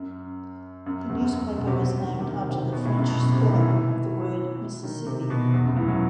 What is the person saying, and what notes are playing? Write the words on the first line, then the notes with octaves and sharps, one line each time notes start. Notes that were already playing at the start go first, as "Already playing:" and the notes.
The newspaper was named after the French spelling of the word "Mississippi".
Already playing: F#2
F#2
E2
F#2
B2
C3
C3
D#3
C3
D#3
C3
B2
A2
F#2
B2
B2
C3
D#3
E3
D#3
C3
B2
E2
F#2
E3
F#3